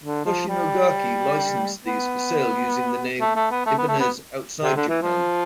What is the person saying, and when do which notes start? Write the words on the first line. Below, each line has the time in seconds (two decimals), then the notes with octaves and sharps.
Hoshino Gakki licensed these for sale using the name Ibanez outside Japan.
0.04 D3
0.25 F3
0.48 G3
1.84 B3
3.20 A3
3.35 A3
3.51 B3
3.66 A3
3.78 B3
3.88 A3
4.00 B3
4.62 C3
4.76 D3
4.89 E3
5.02 F3